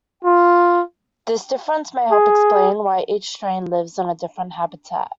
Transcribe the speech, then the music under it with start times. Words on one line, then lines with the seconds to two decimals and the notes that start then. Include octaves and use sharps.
This difference may help explain why each strain lives in a different habitat.
0.25 F4
2.12 G#4